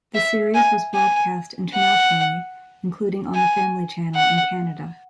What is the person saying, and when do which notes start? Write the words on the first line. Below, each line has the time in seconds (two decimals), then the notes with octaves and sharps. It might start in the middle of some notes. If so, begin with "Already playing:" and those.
The series was broadcast internationally, including on the Family Channel in Canada.
0.15 E5
0.55 G#5
0.95 G#5
1.75 F#5
3.35 G#5
4.16 F#5